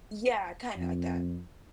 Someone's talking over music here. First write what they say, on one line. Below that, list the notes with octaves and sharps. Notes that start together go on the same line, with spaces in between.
Yeah. Kinda like that.
F2